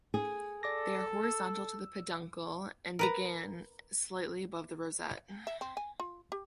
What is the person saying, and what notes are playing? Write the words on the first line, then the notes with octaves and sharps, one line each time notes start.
They are horizontal to the peduncle and begin slightly above the rosette.
G#4
A4 D5 D6 A#6
E6
A#4 B4 A#5
E5
C4
G#5
F4
G4